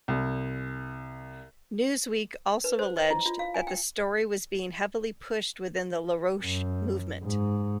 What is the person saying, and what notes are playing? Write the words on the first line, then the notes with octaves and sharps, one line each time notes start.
"Newsweek" also alleged that the story was being heavily pushed within the LaRouche Movement.
C2
B4
C5
D#5
E4
F4
F5
G#5
G5
F#2
G#2